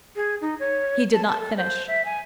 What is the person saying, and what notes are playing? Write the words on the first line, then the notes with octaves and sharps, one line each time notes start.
He did not finish.
G#4
D#4
C#5
A5
A5
A4
C5
E5
G#5